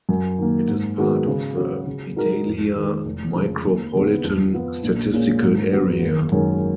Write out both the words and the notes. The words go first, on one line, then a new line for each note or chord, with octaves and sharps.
It is part of the Vidalia Micropolitan Statistical Area.
F#2
D#3 A#3
G#2
D#3 G#3 B3 F#4
C#3
F#3 C#4 F#4
C#3
G#3 D#4 F#4 A#4
F2
D#3 G#3
F1
F2 C#3 G#3
D#2
C#3 G#3 B3
F2
F3 B3 F4
A#1
A#2 G#3 C#4
G#2
F#3 B3
F#1
F#2 D#3 G#3 C#4